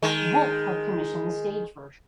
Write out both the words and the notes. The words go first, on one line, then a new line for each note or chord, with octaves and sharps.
Wolfe had commissioned the stage version.
D#3 G#3